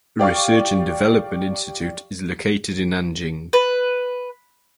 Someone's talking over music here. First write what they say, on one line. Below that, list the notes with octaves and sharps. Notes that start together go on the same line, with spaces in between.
A research and development institute is located in Nanjing.
G4 D5 F5 C#6
B4